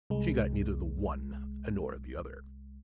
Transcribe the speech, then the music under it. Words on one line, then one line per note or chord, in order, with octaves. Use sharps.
She got neither the one nor the other.
C2 G#3